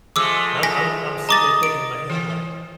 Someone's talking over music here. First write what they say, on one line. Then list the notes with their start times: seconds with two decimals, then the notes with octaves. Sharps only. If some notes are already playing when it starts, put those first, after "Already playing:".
and I'm I'm I'm sitting there thinking in my head, I'm like,
0.16 F3 G#3 A3 D6 E6
0.63 G#5 A#6 B6
1.29 D#5 A#5 D6 A6
1.63 D7
2.10 E3